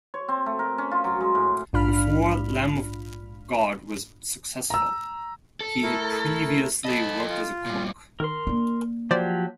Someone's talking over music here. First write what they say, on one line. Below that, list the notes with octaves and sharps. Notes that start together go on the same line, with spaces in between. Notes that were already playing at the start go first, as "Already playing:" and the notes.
Before Lamb of God was successful, he had previously worked as a cook.
C#5
C4
A3
A#4
C#4
F4
F#3
G#3
A2
A#1 G#2 D4 F4 B5 F6
A#5 E6
A4
A3 E4 A#4
A4 D#5 A5 B5
F4
G2 A#2
D#3 A#4 C6
A#3 D4
F3 F#3 G4 C5 D5 D6